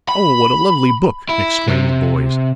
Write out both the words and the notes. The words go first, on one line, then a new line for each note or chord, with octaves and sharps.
"Oh, what a lovely book!" exclaimed the boys.
B5
E4
C3